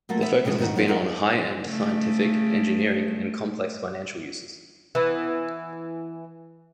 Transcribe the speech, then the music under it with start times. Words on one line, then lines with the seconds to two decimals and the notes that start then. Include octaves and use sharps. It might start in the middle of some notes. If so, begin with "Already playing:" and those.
Their focus has been on high-end scientific, engineering and complex financial uses.
0.09 F#3 A3 A#3 F4 A4
0.22 B3 E5
0.45 C3 E3 F3 G#3 B3
0.58 G#2 D#3 E3 D#4 F#4
0.76 F#3 G#3 A#3 C#4 D#4 F4
0.88 F4 A#4 F5 F#5
1.64 C#3 A3
4.95 E3 B3